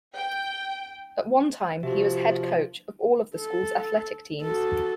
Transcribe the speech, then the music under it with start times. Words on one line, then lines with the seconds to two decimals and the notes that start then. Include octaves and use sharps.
At one time, he was head coach of all of the school's athletic teams.
0.15 G5
1.83 C3 F3 F#4 G4 E5
3.35 A4
4.42 F#4 A4